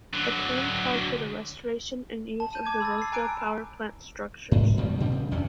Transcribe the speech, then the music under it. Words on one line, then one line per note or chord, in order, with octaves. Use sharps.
The plan called for the restoration and use of the Rossdale Power Plant structures.
D3 F#3
A5
A5 G6 D#7
A5 D6 G#6
B5 E6 G6 A6
E6 C7
G#5 A#5 D6 F#6 D7
G#2
F#2 B2 D#3 G3
A#2 D3 G3 C4
C#3
E2 G2 G3 C#4